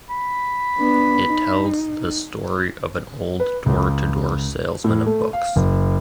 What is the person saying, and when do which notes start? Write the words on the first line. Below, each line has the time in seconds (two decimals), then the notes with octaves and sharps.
It tells the story of an old door-to-door salesman of books.
0.10 B5
0.77 B3 D4
1.27 D#4
3.40 B4
3.66 C#2
4.84 A2
5.06 A3
5.33 F5
5.56 F#1